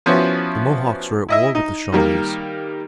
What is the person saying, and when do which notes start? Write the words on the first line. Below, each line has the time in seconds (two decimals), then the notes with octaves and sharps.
The Mohawks are at war with the Shawnees.
0.06 F3 B3 C#4 E4 F#4
1.28 E4 D#5 E5
1.55 D#4
1.92 D#3 G3 A#3